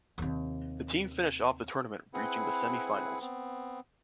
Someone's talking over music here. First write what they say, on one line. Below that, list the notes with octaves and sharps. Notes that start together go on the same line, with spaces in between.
The team finished off the tournament reaching the Semi-Finals.
D#2 C3
C4 E4 G#4 B4 F#5
B3 C4